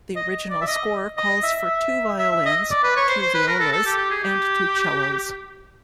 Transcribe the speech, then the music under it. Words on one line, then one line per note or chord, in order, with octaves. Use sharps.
The original score calls for two violins, two violas and two cellos.
D#5
D5
E5
D#5
D#5
E5
E5
E5
E5
D#5
D5
B4
C#5
C5
C5
B4
A#4
A4
A4
G4
G4
G#4
G4